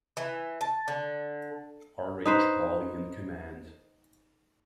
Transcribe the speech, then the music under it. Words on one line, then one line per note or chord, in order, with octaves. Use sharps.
R. H. Pauli in command.
E3
A5
D3
D#4 B4 C5